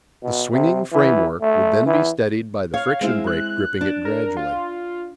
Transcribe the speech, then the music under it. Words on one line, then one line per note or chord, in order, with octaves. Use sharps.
The swinging framework would then be steadied by the friction brake gripping it gradually.
B2
C3
E3
A3
E3
C#5 F5
G#3 C4 E4
F#6
D4
A#4
F4